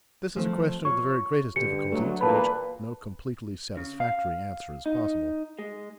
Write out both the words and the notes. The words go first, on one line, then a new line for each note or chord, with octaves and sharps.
This is a question of the very greatest difficulty, to which no completely satisfactory answer is possible.
F3 A3 C4
F4 C#5 C#6
G2 D3 G4 C#7
D2 F#3 A3 A4
E2 G2 A#2 B4 A5 B5
C#3
F5
D#4
G#3